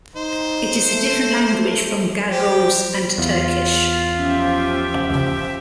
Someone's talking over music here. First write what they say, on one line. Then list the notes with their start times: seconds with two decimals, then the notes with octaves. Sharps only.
It is a different language from Gagauz and Turkish.
0.16 D#4 C5
0.88 A3
2.30 G4 C5
3.18 E2 F4
4.17 F3 C#4 G4 E5